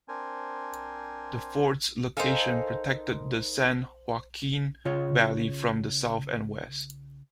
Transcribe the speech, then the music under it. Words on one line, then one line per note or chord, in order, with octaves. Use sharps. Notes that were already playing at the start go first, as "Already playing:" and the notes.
The fort's location protected the San Joaquin Valley from the south and west.
C4 D4 A#4 C5 G#5
D#4 A4 A#4 C5 F5 G#5
C#3 F4 C#5